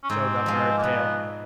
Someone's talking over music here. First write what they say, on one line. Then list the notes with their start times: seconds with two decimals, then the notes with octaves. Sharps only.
Joe got very pale.
0.03 C#4
0.10 G#2 C4
0.46 F3 G#3
0.78 A#3
0.83 G#2 B3